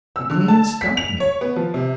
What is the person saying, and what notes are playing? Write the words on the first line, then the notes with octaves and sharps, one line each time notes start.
It clean stumped me.
E6
D3
A5
B6
F7
C#5
B3
F3
C3